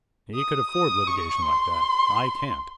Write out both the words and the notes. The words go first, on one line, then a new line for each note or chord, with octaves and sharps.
He could afford litigation like that; I can't.
D#6
D#6
C#6
C6